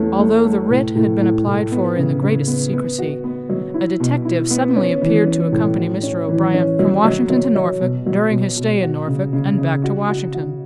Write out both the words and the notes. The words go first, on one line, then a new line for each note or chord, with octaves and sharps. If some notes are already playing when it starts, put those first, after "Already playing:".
Although the writ had been applied for in the greatest secrecy, a detective suddenly appeared to accompany Mr. O'Brien from Washington to Norfolk, during his stay in Norfolk, and back to Washington.
Already playing: E2 A3 C#4
A3
A3
A2
A2
A2
A2
B3
C#3
C#3
B3
B3
F#4
B3
F#3
E4
B2
E4
B3
C#4
E3
C#4
A2
F#4
C#4
E3
C#4
F#3
F#3
F#3
F#3
B2
F#3
B2
B2
F#4
C#3
C#3
C#3
F#4
F#4
F#4